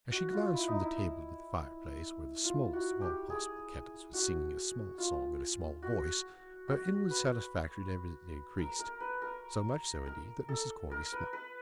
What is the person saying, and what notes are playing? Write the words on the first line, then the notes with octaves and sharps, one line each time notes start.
As she glanced from the table to the fireplace, where the smallest of all possible kettles was singing a small song in a small voice, her inward satisfaction evidently increased,--so much so, indeed, that Mrs. Corney smiled.
F#4
F4
E4
D#4
E4
F4
F#4
G4
G#4
F#4
F4
F#4
F#4
B4
A#4
A#4
B4
A#4
A#4
A4
A#4
B4
B4